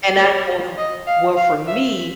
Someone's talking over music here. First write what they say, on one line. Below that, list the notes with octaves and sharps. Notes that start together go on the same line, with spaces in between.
And I told him, "Well, for me,
C#5
D#5
F5
F5
E5